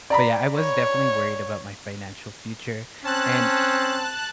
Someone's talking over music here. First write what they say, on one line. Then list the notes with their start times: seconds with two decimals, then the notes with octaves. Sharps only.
But yeah, I was definitely worried about my financial future. And
0.10 D5 A#5 B5
0.57 C#5
3.05 C4 C#4 A5 F#6